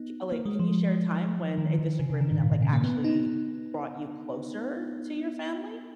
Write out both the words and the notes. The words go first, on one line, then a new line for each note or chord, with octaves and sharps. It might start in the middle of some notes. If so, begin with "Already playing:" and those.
j uh, like, can you share a time when a disagreement that like actually brought you closer to your family?
Already playing: B3 D#4
A#3
G#3
F3
D#3
D#3
C#3
C#3
D#3
G#2
A#2
B2
C#3
A#3
B3
D#4